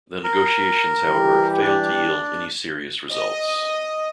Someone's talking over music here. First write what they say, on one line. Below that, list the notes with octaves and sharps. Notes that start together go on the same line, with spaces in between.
The negotiations, however, failed to yield any serious results.
A#4
E3 G3 G4
D4
D#5